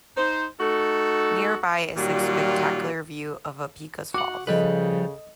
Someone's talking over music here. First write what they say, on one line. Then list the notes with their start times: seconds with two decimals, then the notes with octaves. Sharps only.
Nearby is a spectacular view of 'Opaeka'a Falls.
0.17 D#4 C5
0.60 A3 D#4 F#4 A4
1.96 A#2 D#3 F#3 G3 F4
4.14 F#4 F#5 D6
4.47 C#3 F3 G3 A4 B4 D#5